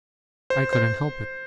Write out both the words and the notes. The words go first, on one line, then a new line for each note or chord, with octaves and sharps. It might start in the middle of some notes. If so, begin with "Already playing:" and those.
I couldn't help it.
C5
C5